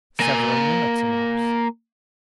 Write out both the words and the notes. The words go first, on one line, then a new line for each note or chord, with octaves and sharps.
Several minutes elapsed.
A#3 G#5